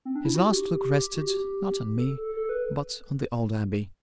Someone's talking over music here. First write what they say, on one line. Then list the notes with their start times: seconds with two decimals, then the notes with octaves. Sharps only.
His last look rested--not on me--but on the old Abbey.
0.05 C4
0.15 D4
0.25 E4
0.35 F#4
0.45 G4
1.16 F#4
1.22 G4
1.99 A4
2.18 A4
2.36 A4
2.49 B4